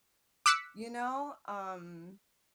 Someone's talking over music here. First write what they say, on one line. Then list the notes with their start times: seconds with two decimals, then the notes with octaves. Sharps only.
you know? Um,
0.46 D6 E6 F#6 B6 C#7